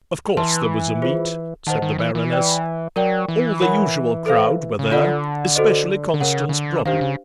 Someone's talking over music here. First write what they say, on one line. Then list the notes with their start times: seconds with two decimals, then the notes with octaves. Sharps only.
"Of course there was a meet," said the Baroness; all the usual crowd were there, especially Constance Broddle.
0.37 E3 B4 E5 A5 C6
1.02 F4 G#4 C5
1.67 D#3 C5 D#5 F#5 A5
1.82 D#3
1.98 E3
2.15 E3
2.32 B4 D5 G5
2.96 F#3 A#4 D5 G5
3.28 E3
3.61 A#4 C#5 F#5 B5
4.26 A4 C5 F5
4.79 C#3
4.91 D3 D4 F4 A4 D5 F#5
5.56 F#4 A4 C5 D#5
6.14 D3
6.20 C#3 A#4 C#5 F#5
6.49 C#3
6.53 D3
6.85 D#3 D4 G4 C5 F5
7.01 C#3